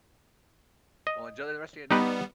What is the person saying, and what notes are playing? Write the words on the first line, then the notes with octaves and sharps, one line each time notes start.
Well, enjoy the rest of your night.
D#5
G3 B3 D#4 G4 B4